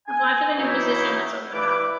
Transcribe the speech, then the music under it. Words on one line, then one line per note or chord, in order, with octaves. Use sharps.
Apply for the new position that's opened up.
G#5
E3 F#3 C4 D#4 E4
G2 E3 E4 B4 D6